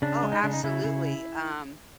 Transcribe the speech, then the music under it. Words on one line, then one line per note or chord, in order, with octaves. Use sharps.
Oh, absolutely, um
C#3 D4
G#3
D#4
C#3 D4
D#4
C#3 E4
C#3